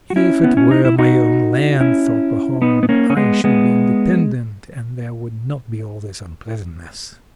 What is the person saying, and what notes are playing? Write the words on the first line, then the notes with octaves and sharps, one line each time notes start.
"If it were my own land," thought Pahom, "I should be independent, and there would not be all this unpleasantness."
F#4
C#4 E4
B3
C#4
D#4
E4
D#4 F#4
C#4 E4
B3 D#4
B3
A#3 C#4
C#4
G#3 B3
G#3 B3